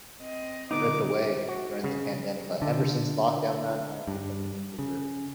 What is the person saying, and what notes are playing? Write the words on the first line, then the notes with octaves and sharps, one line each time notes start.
ripped away during the pandemic, I Ever since lockdown, man, I have become an introvert.
C4 D#5
D3 B3 D#4 D6
F#4
C#3
D3
G2
C#3